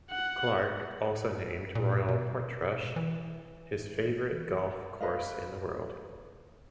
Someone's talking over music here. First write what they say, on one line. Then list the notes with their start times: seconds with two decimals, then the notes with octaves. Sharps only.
Clarke also named Royal Portrush his favourite golf course in the world.
0.11 F#5
1.75 A#2
2.08 B2
2.96 E3
5.01 B4 D#5 F5